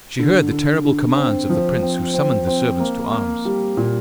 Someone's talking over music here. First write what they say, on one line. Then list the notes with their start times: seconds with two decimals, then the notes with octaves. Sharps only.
She heard the terrible commands of the prince who summoned the servants to arms.
0.19 D3
0.51 D3
0.85 D3
1.16 C4
1.50 F3
1.82 C4
2.14 C4
2.47 C4
2.80 A#3
3.12 A#3
3.45 G3
3.77 A#2